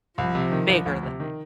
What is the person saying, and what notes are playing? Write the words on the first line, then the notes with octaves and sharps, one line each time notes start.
bigger than that.
C2 F3
C3
D#3
C2
D2
C3
D#3